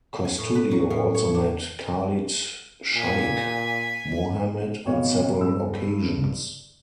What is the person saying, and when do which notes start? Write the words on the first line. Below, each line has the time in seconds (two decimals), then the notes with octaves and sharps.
Costudio also met Khalid Shaikh Mohammed on several occasions.
0.25 G#5
0.38 A2
0.55 B4
0.71 F#3
0.90 A2
1.14 C#5
1.35 D4
2.93 A#2 G#5 B6
4.85 G#1 B2 C#5 D#5 F5
5.40 G2 E6